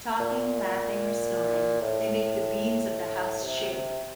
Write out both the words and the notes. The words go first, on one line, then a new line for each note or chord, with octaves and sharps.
Talking, laughing, or snoring, they make the beams of the house shake.
A#2
A2
C3
C3